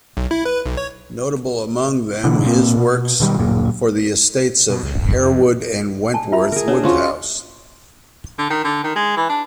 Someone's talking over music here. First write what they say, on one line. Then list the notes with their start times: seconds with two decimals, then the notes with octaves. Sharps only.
Notable among them his works for the estates of Harewood and Wentworth Woodhouse.
0.17 B1
0.31 E4
0.45 B4
0.65 B1
0.77 C#5
2.24 B2 D3 E3
2.45 A#2 A#3 C4
2.77 B2
3.20 B2 D#3 G3
3.38 D1 F#2 A#2
4.70 B2
4.83 C#2
5.02 G2
5.20 F2
6.14 G#5 A5
6.32 F4 E5 B5
6.52 G#4 A#4
6.68 D4 C#5
6.83 C#4 F4 F#4 C5
8.38 D3
8.50 D#3
8.64 D3
8.84 D#3
8.96 G#3
9.17 E3
9.29 D4